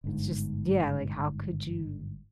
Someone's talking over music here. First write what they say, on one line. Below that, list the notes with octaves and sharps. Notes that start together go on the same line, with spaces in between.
it's just yeah, like, how could you
G1 G#2